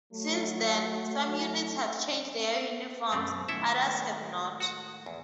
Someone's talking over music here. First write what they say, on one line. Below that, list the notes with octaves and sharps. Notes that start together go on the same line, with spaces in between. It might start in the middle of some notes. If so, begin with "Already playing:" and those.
Since then, some units have changed their uniforms, others have not.
F#3 A3
F#2 B2 A3 C4
A2 D#3 G#3 E4 A4 E5
F#4
E2